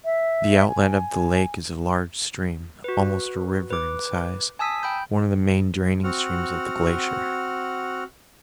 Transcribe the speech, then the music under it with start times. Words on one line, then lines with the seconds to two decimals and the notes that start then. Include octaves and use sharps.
The outlet of the lake is a large stream, almost a river in size, one of the main draining streams of the glacier.
0.05 E5
0.68 G#5
2.84 F#4 B4
3.70 B4 D6
4.59 G#5 A5 D#6 E6 B6
4.83 G5 B5 G6
6.04 C4 F#4 F#5 F6